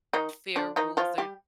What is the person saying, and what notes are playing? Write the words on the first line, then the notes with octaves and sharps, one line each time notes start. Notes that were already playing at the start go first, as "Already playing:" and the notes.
fair rules, or
D#3 D#4
D3 D4
D#3 D#4
F3 F4
G3 G4